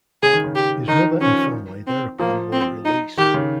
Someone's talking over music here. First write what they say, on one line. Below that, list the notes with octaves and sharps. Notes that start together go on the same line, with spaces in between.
His mother and family thereupon were released.
C#3 G#4
D#3
C#3
G4
D#3 D#4
F3 C#4
C4
F3 A#3
C4
D#4
D#3 G4
C#3